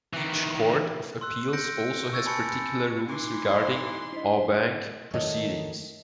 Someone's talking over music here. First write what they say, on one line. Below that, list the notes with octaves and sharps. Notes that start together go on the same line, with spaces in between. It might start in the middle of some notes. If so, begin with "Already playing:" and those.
Each court of appeals also has particular rules regarding "en banc" proceedings.
D#3 E3
C6 E6 F#6
G6 A#6 C#7 D7
C#6 E6 G#6 A6
G#5 A5 B5 C#6 C#7
E3 D#4 C6 D6 E6
D4 E4 C5 D#5 B6
D#3 A3 C#5 D#5